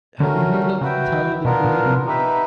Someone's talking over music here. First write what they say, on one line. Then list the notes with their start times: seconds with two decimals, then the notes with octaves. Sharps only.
Have you heard of Tyler, The Creator?
0.20 D3 A3 C#4 F#4 A#4
0.81 C#3 F#4 B4 E5 G5
1.45 B2 B3 D4 F4 A#4
1.64 A#2
1.86 C3
2.06 D#4 G4 B4 E5